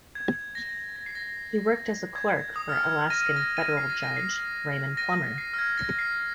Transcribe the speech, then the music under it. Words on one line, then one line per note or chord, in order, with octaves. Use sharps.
He worked as a clerk for Alaskan federal Judge Raymond Plummer.
G#6
A#6
A#6
C7
A#6
G#6
D#6
F6
G#6
A#6 D#7
A#6 D#7
A#6 D#7
C7
A#6
A#6 D#7
C7
A#6 D#7
C7
F6
G#6
A#6
C7